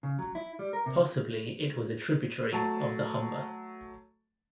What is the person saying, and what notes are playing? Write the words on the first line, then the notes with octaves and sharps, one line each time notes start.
Possibly it was a tributary of the Humber.
C#3
F#3
E4
G3
A#4
C3
F#3 A3 A5